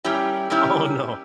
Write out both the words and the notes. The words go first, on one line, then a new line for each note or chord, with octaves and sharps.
Oh, no.
A#2 G3 C#4 E4 G4
A#2 G3 C#4 E4 G4